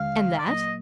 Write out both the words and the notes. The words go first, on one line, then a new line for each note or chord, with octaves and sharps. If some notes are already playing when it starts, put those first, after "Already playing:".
"And that?"
Already playing: D#2 D3 G#3 F5
D5
A#2 F#3 A#3 D#5